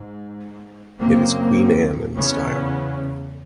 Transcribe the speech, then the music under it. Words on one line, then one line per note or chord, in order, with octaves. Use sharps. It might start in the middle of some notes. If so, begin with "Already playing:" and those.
It is Queen Anne in style.
Already playing: G#2
F#2 C#3 A#3 C4
E2 C#3 B3 C#4